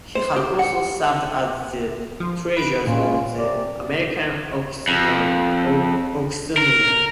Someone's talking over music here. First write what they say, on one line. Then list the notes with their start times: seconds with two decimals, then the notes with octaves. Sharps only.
He has also served as the treasurer of "The American Oxonian".
0.15 C5
0.36 G4
0.59 F#5
2.20 F3
2.57 B4 D7
2.87 A#2 G#3 C#4 F4
3.38 C3 D5
4.88 F2
6.58 A#4